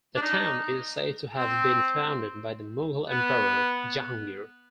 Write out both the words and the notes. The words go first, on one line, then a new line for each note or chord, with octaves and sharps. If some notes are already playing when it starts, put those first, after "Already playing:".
The town is said to have been founded by the Mughal emperor Jahangir.
D4
D#4
C4
B3